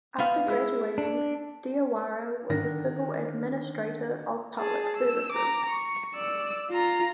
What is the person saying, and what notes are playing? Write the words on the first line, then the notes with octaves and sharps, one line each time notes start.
After graduating, Diawara was a civil administrator of public services.
B3 E5 F5
G#3 E4
D4
D3 D#3 D4 A#6
G#4 A5
E6
A#5 D6
C#6
D5 E6
F4 A#5